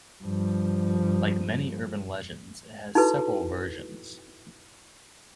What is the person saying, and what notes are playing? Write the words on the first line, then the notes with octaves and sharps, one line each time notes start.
Like many urban legends, it has several versions.
G2 F3
D#4 E4 F#4 A4 B4